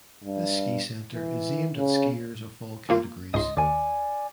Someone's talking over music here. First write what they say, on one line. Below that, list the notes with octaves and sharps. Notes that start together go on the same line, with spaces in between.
This ski center is aimed at skiers of all categories.
G2
E3
C#3
E3 A#3 F4
C#2 G#2 D#5 C6
D#2 D5 G#5